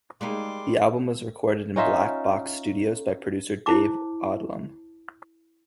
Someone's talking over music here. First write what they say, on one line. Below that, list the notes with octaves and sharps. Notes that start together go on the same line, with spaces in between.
The album was recorded in Black Box Studios by producer Dave Odlum.
G3 G#3 A#3 D#4 C6 D6
C#4 D#4 F4 E5
E4 C5 A5 D6